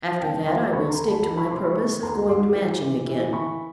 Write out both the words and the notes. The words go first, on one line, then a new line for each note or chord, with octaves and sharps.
After that I will stick to my purpose of going to Matching again.
E1 G5 A5
E1 C6 D6
D2 B5 C#6
A#5 C6
D2
A5 B5
D#3 A5 B5
B5 C#6
C3 C6 D6
B5 C#6
D#3 B5 C#6
D2 A#5 C6
G#2 C6 D6
E3
E3
E3
E3 B5 C#6